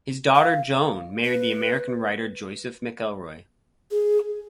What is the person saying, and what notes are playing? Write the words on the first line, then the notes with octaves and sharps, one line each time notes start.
His daughter Joan married the American writer Joseph McElroy.
F5
B4
G#4